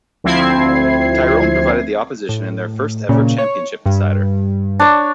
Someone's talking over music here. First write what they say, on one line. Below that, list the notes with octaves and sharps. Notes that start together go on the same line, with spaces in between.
Tyrone provided the opposition in their first-ever championship decider.
D2 F3 C4 E4 G#6 C7
A2
A#2 C#3
C#5
G2
D4 C#5